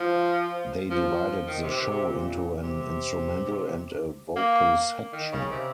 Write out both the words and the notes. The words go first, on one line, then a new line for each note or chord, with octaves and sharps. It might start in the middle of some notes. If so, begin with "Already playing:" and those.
They divided the show into an instrumental and a vocal section.
Already playing: F3
F3
D#3
C3
C3
C3
A#2
C3
A#3
D#3
C#3
C3